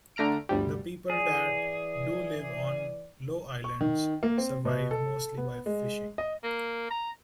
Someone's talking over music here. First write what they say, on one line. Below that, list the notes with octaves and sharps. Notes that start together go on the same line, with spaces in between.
The people that do live on low islands survive mostly by fishing.
D3 A3 A#5 F6 D7
G1 D2 G3
E3 G#4 D5
C#6
D#3
A#3
C4
B2
A4
B3
G#3
D#5
A#3
A#5